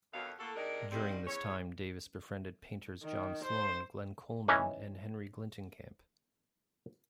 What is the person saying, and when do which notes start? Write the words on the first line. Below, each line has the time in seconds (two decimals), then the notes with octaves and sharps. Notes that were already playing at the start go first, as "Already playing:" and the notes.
During this time, Davis befriended painters John Sloan, Glenn Coleman and Henry Glintenkamp.
0.13 F2 D3 D#3 F#3 B3 F5
0.39 A2 A#3 F#4 A4
0.56 C3 G#3 D4 D#4 A#4
0.91 D#3 G3 C4
1.27 E2 C#5
3.04 D#3
3.44 C5
4.48 E3 C#4 D#4